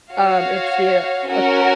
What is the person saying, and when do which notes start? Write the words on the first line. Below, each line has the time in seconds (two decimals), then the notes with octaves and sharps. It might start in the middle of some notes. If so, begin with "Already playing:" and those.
um, it's the uh,
0.14 F#4 C#5 F5
1.29 C#4 F#4 A#4